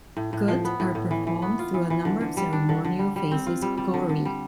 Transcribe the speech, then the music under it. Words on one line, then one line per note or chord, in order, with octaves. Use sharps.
"Gut" are performed through a number of ceremonial phases, "gori".
A2
A2
F3
B3
A2
A2
E3
E3
B3
F4
E3
E3
D3
D3
G3
D4
D3
D3
G3
G3
C4
F4
G3
G3
D3
D3
G3